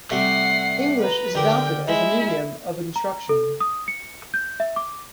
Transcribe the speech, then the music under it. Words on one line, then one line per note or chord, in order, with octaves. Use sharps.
English is adopted as the medium of instruction.
C3 G3 A3 F#5 C7
B4 A#5
D3 G4 A#4 G5
G#3 E4
A#5
A4
D#6
C#7
G6
E5
D6